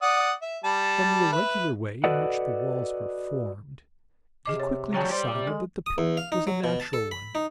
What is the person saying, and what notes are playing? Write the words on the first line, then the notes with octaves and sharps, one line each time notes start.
From the irregular way in which the walls were formed, he quickly decided that the pit was a natural one.
D5 F#5 D#6
E5
G3 A5
B4 E5
F#4 A4 B4 D5 D#5 F#5
C3 G#4 D#5 D6
C#5
C#3 F#3 G3 C#5 G5 A5
G4 C5 D5
C3
G#3 A4
D#6
E2
F5
D#4
F#3
B2
A5
A4
B5
D#4